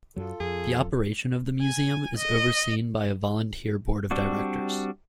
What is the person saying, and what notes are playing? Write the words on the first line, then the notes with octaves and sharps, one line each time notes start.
The operation of the museum is overseen by a volunteer board of directors.
F#2 F#3 F4 A4
F2 G#4
G#5
D#5
G3 C4 D4 F#4